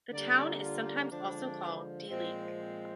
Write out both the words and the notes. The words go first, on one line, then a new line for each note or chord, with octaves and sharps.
The town is sometimes also called "De Leek".
D3 G3 A#3 D5
F4
D3 F3 G#3 D4
A#2 F3 G#3 C4
C4